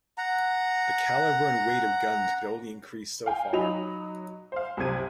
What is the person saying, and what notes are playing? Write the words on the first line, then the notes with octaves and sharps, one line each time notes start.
The calibre and weight of guns could only increase so far.
F#5 A#5
F5 G5 G#5
F#3 D#4 D#5 B5 F7
C5 F5
C2 F#2 C3 G#6 D#7